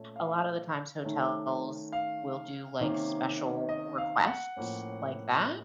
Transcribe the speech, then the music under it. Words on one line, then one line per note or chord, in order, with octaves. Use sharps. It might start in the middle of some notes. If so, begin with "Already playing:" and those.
A lot of the times hotels will do, like, special requests like that.
Already playing: A#2 A3 C#4
F5
D#3 A3 C#4
F5
C3 D#3 A#3 C#4
D#5
F5
F#5
A2 F3 A#3 C#4